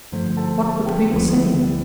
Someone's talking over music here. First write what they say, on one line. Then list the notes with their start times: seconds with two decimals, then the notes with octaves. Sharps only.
What would the people say?
0.12 G2 D3 F3 A3 C5
0.37 A4
0.61 A4
0.86 G4
1.10 D2 D3 F3 B3 C4
1.34 E4
1.59 G3